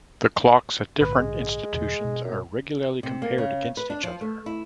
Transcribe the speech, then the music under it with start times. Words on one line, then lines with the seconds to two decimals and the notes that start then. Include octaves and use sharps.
The clocks at different institutions are regularly compared against each other.
1.00 A#1 G#2 D3 B4
1.18 G#3
1.73 E2 B2 D3
2.04 B2
2.24 F#2
3.03 C3
3.22 A#3
3.38 C#3
3.77 B4
3.90 D4
4.03 F3
4.21 A3
4.46 E4